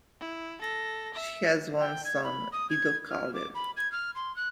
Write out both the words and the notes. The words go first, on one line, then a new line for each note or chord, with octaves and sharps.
She has one son, Ido Kalir.
E4
A4 A#6
E5
G5
G#6
B5
D#6
G#6
F6
D6
B5
G#6
F6
C6
F#6